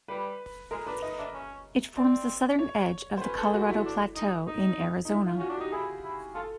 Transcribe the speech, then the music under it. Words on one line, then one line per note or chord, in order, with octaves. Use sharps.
It forms the southern edge of the Colorado Plateau in Arizona.
G3 B4
G#3 A#4
D4 B4
D#4 D#5
D4 E5
C#4
C4 D5
C#5
C5
C#4 B4
A4
F#4
E4
D4
D#4
D#4
D#4
E4
F4
C#4 F#4
D4
G4
D#4
E4 G#4
E4
F4 A4